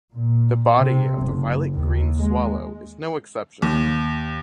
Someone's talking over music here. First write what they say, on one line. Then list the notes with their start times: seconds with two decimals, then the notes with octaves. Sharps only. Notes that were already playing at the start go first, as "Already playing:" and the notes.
The body of the violet-green swallow is no exception.
0.14 A#2
0.77 C3
1.21 F#1
1.74 D#2
2.19 G#3
3.62 D#2